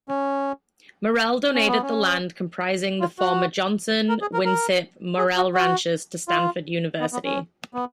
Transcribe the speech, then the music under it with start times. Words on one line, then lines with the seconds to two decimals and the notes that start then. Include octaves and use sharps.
Morell donated the land comprising the former Johnson, Winship, Morell ranches to Stanford University.
0.09 C#4
1.54 C#4
1.68 B3
1.82 C#4
3.00 F4
3.19 F#4
4.09 A#4
4.21 G#4
4.33 A#4
4.45 A#4
5.18 G#4
5.36 F#4
5.54 F#4
6.28 F4
7.00 B3
7.13 B3
7.25 C#4
7.74 B3